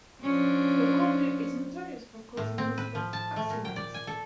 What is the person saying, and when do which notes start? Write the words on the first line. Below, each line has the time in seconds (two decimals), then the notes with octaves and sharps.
The corner is notorious for causing multiple accidents.
0.23 F3 C#4 D4
2.37 A2
2.58 C4
2.78 B4
2.95 F3
3.13 A5
3.36 A3
3.50 A#2
3.65 G5
3.76 D5
3.94 G#5
4.07 A4